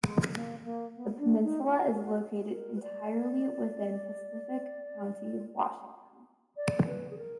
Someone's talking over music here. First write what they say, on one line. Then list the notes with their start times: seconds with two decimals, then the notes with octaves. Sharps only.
The peninsula is located entirely within Pacific County, Washington.
0.03 G#3
0.34 A#3
0.64 A#3
0.96 B3
1.14 B3
1.19 D4
1.43 D#4
1.66 F4
1.89 F#4
1.97 G#4
2.03 F#4
2.41 G#4
2.52 A#4
2.76 B4
2.83 D5
6.57 D5
6.87 B4
7.10 G#4
7.18 A#4